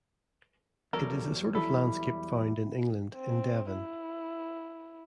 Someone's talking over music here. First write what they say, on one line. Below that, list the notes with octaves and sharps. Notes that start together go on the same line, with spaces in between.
It is the sort of landscape found in England in Devon.
E2 F#3 G3 A4 A#4
E4 A4
C4
E4